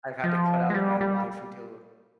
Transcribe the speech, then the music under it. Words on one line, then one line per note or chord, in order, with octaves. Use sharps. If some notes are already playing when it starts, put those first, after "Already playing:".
I had to cut out of my life who do
F3
G#3
G3
G3